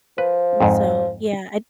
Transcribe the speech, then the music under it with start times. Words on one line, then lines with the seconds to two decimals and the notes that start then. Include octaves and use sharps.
And, so, yeah I'd
0.18 F3 B4
0.61 F2 G#2